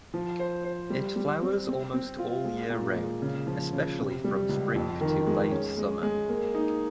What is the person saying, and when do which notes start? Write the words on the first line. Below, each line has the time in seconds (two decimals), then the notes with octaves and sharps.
It flowers almost all year round, especially from spring to late summer.
0.14 F3
0.40 C5
0.64 C5
0.90 G3
1.16 G3
1.42 C4
1.68 C4
1.94 C4
2.19 F4
2.45 G#3
2.70 A#2
2.96 G#3
3.22 C#3
3.47 F3
3.73 C#3
3.99 C3
4.24 G3
4.49 C#2
4.76 F2
5.01 D#3
5.26 G#3
5.52 C#4
5.77 G#3
6.03 G#3
6.29 A#3
6.55 D#4